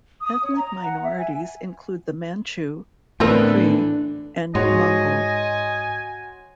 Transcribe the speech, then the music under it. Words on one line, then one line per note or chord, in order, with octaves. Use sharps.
Ethnic minorities include the Manchu, Hui, and Mongol.
D#6
C#5
A#5
F#5
E5
G#5
A2 D3 E3 B3 C4 D4 A#4 B4
G#2 F#4 C#5 D#5 G#5 C6